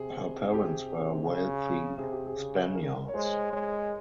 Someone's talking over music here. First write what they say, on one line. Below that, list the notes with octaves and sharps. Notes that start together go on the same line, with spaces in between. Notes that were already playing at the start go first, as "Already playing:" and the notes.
Her parents were wealthy Spaniards.
Already playing: C3 G#4
G#4
G4
G#4
C#3
C3 G#4
G4
G#4
C#3
A#4
C#5
G#3 C5
G#3 C#5